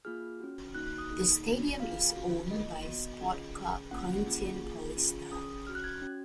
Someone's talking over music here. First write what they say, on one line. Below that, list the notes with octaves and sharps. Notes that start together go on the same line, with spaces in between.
The stadium is owned by Sport Club Corinthians Paulista.
A#3 F4 G#4 F6
C#4 F#4
A#3 D#4 F#4 F#6
F#6
D#6
A#3 D#4 G#4
C#4 F#4
A#3 F4 G#4 F5
C#4 F#4
A#3 F4 G#4 D#5
B3 F#4
C#4 F4 G#4
C#4 G#4
A#3 C#4 F4 F#5
A#3 C#4 F4 G#4
A#3 F4 G#4
C#4 F4 G#4
C#4 G#4 D#6
C#4 F#4 F6
F#6
G#6
C#4 F#4